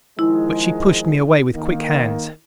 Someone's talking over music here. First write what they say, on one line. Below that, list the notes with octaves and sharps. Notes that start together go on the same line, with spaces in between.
But she pushed me away with quick hands.
D#3 F3 G#3 E4
D#3 A#3